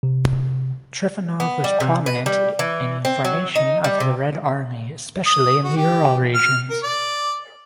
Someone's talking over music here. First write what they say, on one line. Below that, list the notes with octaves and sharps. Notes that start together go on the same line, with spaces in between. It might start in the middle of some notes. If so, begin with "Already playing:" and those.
Trifonov was prominent in formation of the Red Army, especially in the Ural regions.
C3
B3
G3
C3
B4
G3
E3
C4
F#3
D#4
G3
C3
D#6
F#4
G4
F6
A#4
D5